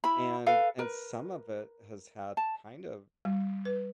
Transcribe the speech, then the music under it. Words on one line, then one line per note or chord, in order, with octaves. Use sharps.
and and some of it has had kind of
E4 B5
A4 B4 F5
A#4 B4
A5
G3
B4